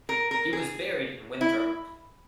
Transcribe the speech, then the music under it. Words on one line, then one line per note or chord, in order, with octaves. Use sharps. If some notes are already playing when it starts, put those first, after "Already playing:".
He was buried in Winthrop.
A#4
A#4
G#4
E4